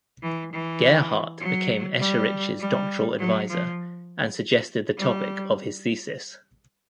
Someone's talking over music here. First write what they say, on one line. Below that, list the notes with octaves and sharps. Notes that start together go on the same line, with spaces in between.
Gerhardt became Escherich's doctoral advisor and suggested the topic of his thesis.
E3
E3
F#3
G3
G3
F#3
F3
G3